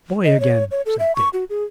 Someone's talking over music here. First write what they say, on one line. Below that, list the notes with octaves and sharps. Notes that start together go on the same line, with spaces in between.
"Boy again!" said Dick.
D#5
C#5
C#5
A4
E5
C#6
F#4
G#4